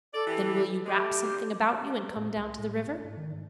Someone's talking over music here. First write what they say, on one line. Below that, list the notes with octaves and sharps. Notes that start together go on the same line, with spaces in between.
"Then will you wrap something about you and come down to the river?"
A4 D5
E3 G4
G#3 G4
A3
D2 G3 C5
A2
C2
A2
D#1
G#2
D#3
G#2